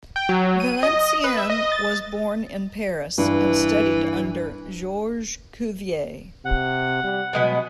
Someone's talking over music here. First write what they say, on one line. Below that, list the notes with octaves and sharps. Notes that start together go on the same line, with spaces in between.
Valenciennes was born in Paris, and studied under Georges Cuvier.
G5
F#3
D#7
D#5
B4
E5
D#5
A6
G2 E3
C3 F#5
G3
B2 F#3 G#3 B3